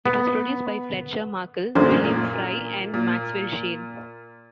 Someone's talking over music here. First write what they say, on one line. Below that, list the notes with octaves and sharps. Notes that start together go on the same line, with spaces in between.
It was produced by Fletcher Markle, William Frye, and Maxwell Shane.
B3
A1 F#2 A#2 D3 C5 D5
A#2
A#2